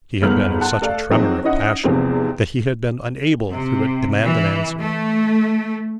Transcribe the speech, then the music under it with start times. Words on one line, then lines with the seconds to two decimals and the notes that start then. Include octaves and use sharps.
He had been in such a tremor of passion that he had been unable to demand an answer.
0.22 G1 G#2 F#3 B3 F6 F#7
0.61 F#5 A5 C6 F#6
0.81 A3 A4 D5 F5
1.10 F3 F#3 G#3 C4 D#4
1.43 C#4 D#4 E4 D#5 F#5
1.84 E2 G#2 C3 F3 G#3 C4
3.51 C3
4.24 E3
4.80 A3